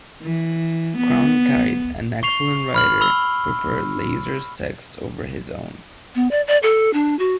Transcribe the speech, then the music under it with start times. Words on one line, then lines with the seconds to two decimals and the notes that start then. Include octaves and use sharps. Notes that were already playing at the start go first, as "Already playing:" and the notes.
Cronkite, an excellent writer, preferred Leiser's text over his own.
0.22 E3
0.97 B3
2.23 C#6 C7 F7 G7
2.74 B5 F6 F#7
3.01 B5 E6 G7
6.15 B3
6.31 D5
6.48 D5
6.63 A4
6.93 D4
7.19 F#4